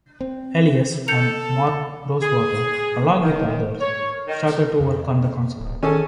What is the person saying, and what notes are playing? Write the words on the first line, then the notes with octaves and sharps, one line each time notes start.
Elias and Mark Rosewater along with others started to work on the concept.
C4
A4 G6 C#7 F7
G#4
D#3
C#5
D#3
F2
D1
D#3 C#4 G#4 A4